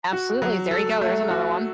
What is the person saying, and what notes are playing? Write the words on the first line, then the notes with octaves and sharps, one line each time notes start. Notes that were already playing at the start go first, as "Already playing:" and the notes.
absolutely, there you go. There's another one,
F#4
F#3
A4
A3
F#4